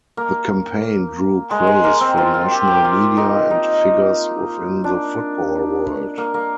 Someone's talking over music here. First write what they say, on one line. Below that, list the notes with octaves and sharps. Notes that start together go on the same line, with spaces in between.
The campaign drew praise from national media and figures within the football world.
A#3
G#3
G#3
A#3
C4
F4
F4
G4
G4
F4
D#4
D#4
D4
A#3
A#3